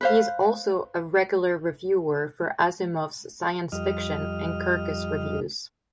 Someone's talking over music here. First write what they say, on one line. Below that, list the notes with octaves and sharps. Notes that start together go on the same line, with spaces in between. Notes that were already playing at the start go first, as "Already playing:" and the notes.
He is also a regular reviewer for Asimov's Science Fiction and Kirkus Reviews.
B4 C5 F5
F2 G3 D#5 F6